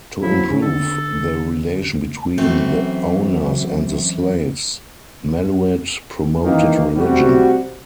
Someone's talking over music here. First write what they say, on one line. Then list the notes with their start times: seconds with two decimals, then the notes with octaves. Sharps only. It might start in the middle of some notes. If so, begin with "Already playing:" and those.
To improve the relation between the owners and the slaves, Malouet "promoted" religion.
0.22 F#2 F3 F#3 E4
0.50 C#3
0.62 D3 A4
2.38 F#2 E3 A3 C4 F#4
6.43 D#3 E3 A#3
6.96 C3 G3 A3 F#4